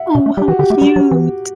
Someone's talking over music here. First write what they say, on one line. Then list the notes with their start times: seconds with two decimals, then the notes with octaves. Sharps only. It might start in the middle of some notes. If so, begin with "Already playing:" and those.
Oh, how cute.
Already playing: E5 F#5
0.15 B2
0.26 A3
0.37 G3 G4
0.48 E3 F#4
0.59 D3 G4
0.70 A3 G4
0.81 G3
0.96 F#3
1.11 E3